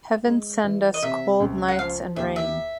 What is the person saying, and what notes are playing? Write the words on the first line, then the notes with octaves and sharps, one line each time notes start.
Heaven send us cold nights and rain!
G#3
E3
D#5
C3 E5
C#2
F#5
F3 F5
D#2 E5
E5